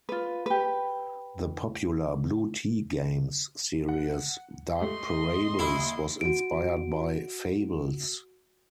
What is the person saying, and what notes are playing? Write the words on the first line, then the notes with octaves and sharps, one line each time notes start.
The popular Blue Tea Games series "Dark Parables" was inspired by "Fables".
F4 B4
G4 B4
F#5
A3 G4 D#5 C6
D#2 E4 D#6
F#4 D7